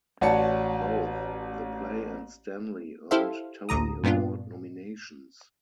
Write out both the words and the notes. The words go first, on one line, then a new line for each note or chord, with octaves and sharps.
Both the play and Stanley earned Tony Award nominations.
A1 F#4 C#5 D5 A5 C#7
E4 G4 A4 C5 E5 F5
A1 D2 D3 A#5 D#6
G2 A#2 B3 D4 F4